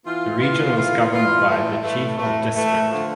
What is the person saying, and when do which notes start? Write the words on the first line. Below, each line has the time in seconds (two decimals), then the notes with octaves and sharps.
The region was governed by the Chief of District.
0.03 E3 B3 F4
0.39 E3 B3 F4
0.74 E3 B3 F4
1.10 E3 B3 F4
1.46 A2 E3 A3
1.82 A2 E3 A3
2.18 A2 E3 A3
2.54 A2 E3 A3
2.90 D3 F3 A3